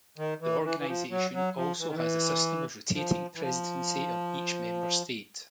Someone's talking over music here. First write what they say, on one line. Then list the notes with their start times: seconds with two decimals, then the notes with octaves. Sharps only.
The organisation also has a system of rotating presidency of each Member State.
0.18 D#3
0.41 E3
0.64 E3
0.79 E3
0.87 F3
1.11 F#3
1.34 F#3
1.56 F3
1.80 E3
1.87 D#3
1.95 E3
2.94 F3
3.35 E3
3.41 F3